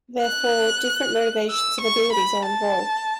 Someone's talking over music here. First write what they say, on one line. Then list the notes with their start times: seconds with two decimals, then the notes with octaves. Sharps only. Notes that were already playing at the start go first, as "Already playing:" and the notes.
Therefore, different motivations and abilities are involved.
0.22 F#6
1.51 E6
1.81 C#6
2.13 B5
2.46 A5